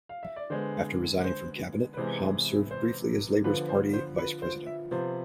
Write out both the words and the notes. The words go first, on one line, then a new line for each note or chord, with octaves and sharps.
After resigning from Cabinet, Hobbs served briefly as Labour's party Vice-President.
F5
E5
D5
D3 G#3 B3 C5
C5
B4
C3 E3 G#3 B3 C5
C5
D3 F3 B3 B4
C5
C5
B4
C5
E5
C3 F3 B3 C5